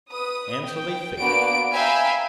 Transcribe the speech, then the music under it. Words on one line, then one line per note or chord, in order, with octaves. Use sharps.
And so they failed.
B4 D#6
G5
A#3 B3 D4 F#4 D7
E5 F5 G5 G#5 A#5 B5